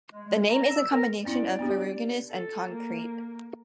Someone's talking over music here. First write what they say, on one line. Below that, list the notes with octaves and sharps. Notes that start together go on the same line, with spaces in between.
The name is a combination of "ferruginous" and "concrete".
G#3
G#3
A#5
E6
A#4
B3 C#4 E4 D5
B3 D4 G4
A4
A#3